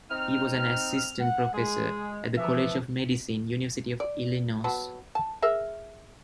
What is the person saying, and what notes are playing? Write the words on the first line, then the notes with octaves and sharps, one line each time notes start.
He was an assistant professor at the College of Medicine, University of Illinois.
C4 D#4 F6
F#5
G#3 G#4
E3 F3 E5
D5
F#3 B3 A5
A5
G#4 A#4 E5